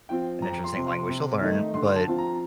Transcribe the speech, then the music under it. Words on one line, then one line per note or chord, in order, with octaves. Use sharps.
an interesting language to learn, but,
F3 C4 F4 G5
F2 A#5
C6
C3 F3
C6
C3
D#3 A3 D#4
D3 C6
A5
F3 C4 F4
A#5